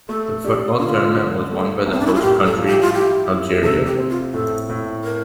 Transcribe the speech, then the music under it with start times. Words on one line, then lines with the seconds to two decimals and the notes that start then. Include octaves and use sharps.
The football tournament was won by the host country Algeria.
0.09 A3 A4
0.44 D4 G4
0.80 D3 F4
1.15 D3
1.51 A3
1.86 C2
1.93 C4
2.00 D4
2.06 E4
2.15 F4
2.21 A2 G4
2.45 A4
2.57 F3
2.68 G4
2.81 F4
2.93 E4 G4
3.28 E4
3.63 C3 A4
3.86 G4
3.98 C4
4.10 F4
4.34 A2 A4
4.70 A2
5.04 A#4